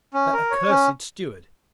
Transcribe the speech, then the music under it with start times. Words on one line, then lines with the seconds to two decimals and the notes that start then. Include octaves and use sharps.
That accursed steward!
0.14 C#4
0.33 A#4
0.51 C#5
0.69 C#4